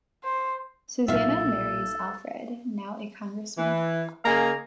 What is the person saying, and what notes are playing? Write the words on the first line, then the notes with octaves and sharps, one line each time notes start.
Susannah marries Alfred, now a congressman.
C5
B1 A#2 A4 E5 F5
E3
C#3 A#3 D#5 F5 G#5 A#5